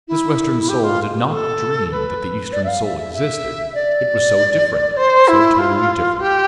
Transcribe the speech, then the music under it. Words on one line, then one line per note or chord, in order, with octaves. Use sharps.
This Western soul did not dream that the Eastern soul existed, it was so different, so totally different.
E4
G4
F4
G4
A4
B4
D5
E5
F5
E5
E5
E5
D5
C5
E4
F4
G4